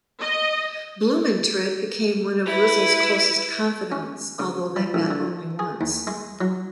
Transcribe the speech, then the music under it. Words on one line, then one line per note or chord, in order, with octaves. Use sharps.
Blumentritt became one of Rizal's closest confidants although they met only once.
D#5
E4 B4
C#4
C#3
G3
A1
D3
G#4
D#2
G#3
F#3